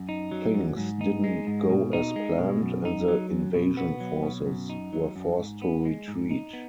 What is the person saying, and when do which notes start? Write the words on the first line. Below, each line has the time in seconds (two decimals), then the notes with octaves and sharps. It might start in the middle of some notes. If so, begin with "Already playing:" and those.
Things didn't go as planned and the invasion forces were forced to retreat.
Already playing: F#2
0.09 D#4
0.31 F#3
0.54 F#2
0.77 G#2
1.01 D#4
1.24 G#3
1.47 G#2
1.69 B2
1.93 D#4
2.16 G#3
2.38 B2
2.62 F#2
2.85 D#4
3.08 F#3
3.30 F#2
3.55 B2
3.77 B3
4.00 F#3
4.23 B2
4.46 F#2
4.70 D#4
4.93 F#3
5.16 F#2
5.38 G#2
5.62 B3
5.85 G#3
6.08 G#2
6.31 D#4
6.53 B3